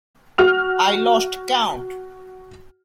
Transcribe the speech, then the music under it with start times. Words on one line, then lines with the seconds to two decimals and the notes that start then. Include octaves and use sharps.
I lost count.
0.38 F#4 F6 F7